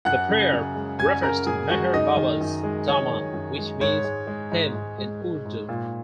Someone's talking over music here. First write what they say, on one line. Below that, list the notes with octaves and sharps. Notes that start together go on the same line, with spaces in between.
The prayer refers to Meher Baba's "daaman", which means "hem" in Urdu.
F#2 F#5 F#6
C#3
F#2
G#3
F#2 G#5 G#6
C#3 A#4 A#5
F#2 G#4 G#5
G#3 F#4 F#5
F#2 D#4 D#5
D#3
F#2
G#3
F#2 C#5
D#3
F#2
G#3
G#2 C#5
G#3
G#3
G#2
G#2
G#3
G#3
G#2
A#2